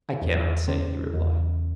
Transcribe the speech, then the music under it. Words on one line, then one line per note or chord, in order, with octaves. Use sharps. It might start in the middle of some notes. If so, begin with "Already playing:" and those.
I cannot say, he replied.
E2
C#3
E2